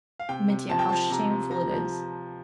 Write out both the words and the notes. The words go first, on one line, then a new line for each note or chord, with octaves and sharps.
Mitya, how shameful it is!
F5
C3 G5
C3
F3 A5
G5
F3 A5
C3 A#5
C3
F3 A#5
F3